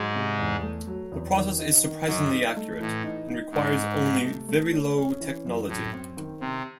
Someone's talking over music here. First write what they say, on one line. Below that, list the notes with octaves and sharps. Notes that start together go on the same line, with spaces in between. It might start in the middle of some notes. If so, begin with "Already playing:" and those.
The process is surprisingly accurate and requires only very low technology.
Already playing: G#2 F#3 G#3
C3
E2
A3
F#3
E2
D#3
D#4
D#3
F#2 F#3 D#4
D#4
A3
A2 E3
D#4
D#4
G#2 D#4
D#4
C3
A3
A3
C#4
C#4
E3
F#2
F#2 A2
C4
D#3
C3 C4